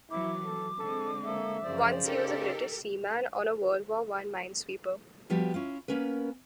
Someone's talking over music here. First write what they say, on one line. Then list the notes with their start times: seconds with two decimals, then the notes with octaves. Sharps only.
Once he was a British seaman on a World War One mine sweeper.
0.11 E3 F#3 E4 D6
0.46 A4
0.79 D3 G#3 C4 A4
1.25 A#3 A4 E5
1.64 F#2 C#3 F3 C5 D5
2.05 D#4 G4 A4 A#4
5.30 F3 G3 B3 F#4 G4
5.54 C#4 E4 F4
5.88 A#3 B3 C#4 A#4 B4